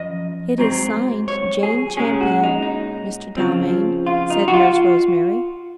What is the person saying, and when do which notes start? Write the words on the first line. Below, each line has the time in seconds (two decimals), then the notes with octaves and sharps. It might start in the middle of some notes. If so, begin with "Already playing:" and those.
"It is signed 'Jane Champion,' Mr. Dalmain," said Nurse Rosemary.
Already playing: F#2 F3 D#5
0.58 G#2 F#3 C4
1.28 C#5
1.63 G#4
1.97 A#2 G#3 C#4 G#4
2.20 F#4
2.43 D#4
2.62 D#4
3.37 C#3 F3 C4
4.06 F4
4.30 D#4
4.48 F#4
4.54 F4